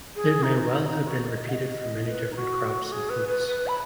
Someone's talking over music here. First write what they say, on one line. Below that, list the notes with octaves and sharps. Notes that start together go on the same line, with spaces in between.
It may well have been repeated for many different crops and fruits.
G#4
D#4
D#4
D#4
F#4
D#5
F#5
D#5
D#5
B4
D#4
F#4
G#4
B4
B4
B4
B5